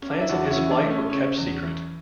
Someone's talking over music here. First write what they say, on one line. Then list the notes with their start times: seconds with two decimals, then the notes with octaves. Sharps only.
Plans of his flight were kept secret.
0.02 C#4
0.11 D4
0.21 E4
0.29 E2 D4 F#4
0.45 F#4
0.51 C#4 E4
0.57 E3
0.71 D4
0.83 A3
0.90 C#4
1.09 C#3 C#4
1.37 E2
1.63 E3